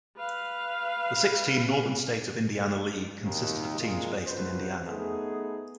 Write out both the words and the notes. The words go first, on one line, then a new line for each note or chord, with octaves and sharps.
The six–team Northern State of Indiana League consisted of teams based in Indiana.
B4 F5
D#2 C3 D#3
A#2 D#3 F3 G#3 F4
C2 F#2 F3 B4 C5
A3 B3 D#4 G#4